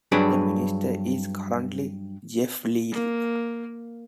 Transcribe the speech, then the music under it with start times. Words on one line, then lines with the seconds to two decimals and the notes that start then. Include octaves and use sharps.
The Minister is currently Jeff Leal.
0.12 G2 F#3 D4 G#4 B4 D5
2.92 A#3